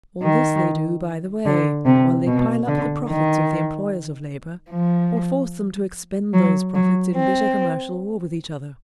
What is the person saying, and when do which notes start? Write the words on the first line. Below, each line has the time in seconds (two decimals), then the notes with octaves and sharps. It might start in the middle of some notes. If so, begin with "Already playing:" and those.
All this they do by the way, while they pile up the profits of the employers of labour, or force them to expend those profits in bitter commercial war with each other.
0.23 D#3
1.46 D3
1.86 C3
2.27 B2
2.68 D3
3.08 D#3
4.71 F3
6.34 F#3
6.75 F#3
7.15 C4